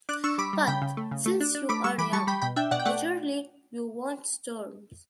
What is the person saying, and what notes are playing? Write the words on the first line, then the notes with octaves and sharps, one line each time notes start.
But, since you are young, naturally you want storms.
D4 D6 F#6
D4 C#6 E6
G3 B5 D6
G3
C#3 G5 B5
C#3
A3
C#3
A3
D4
D4
A3 B5 D6
G3 C#6 E6
E3 B5 D6
G3 A5 C#6
G3 G5 B5
B2 G5 B5
D4 E5 G5
B2 D5 F#5
G5
A3 D5 F#5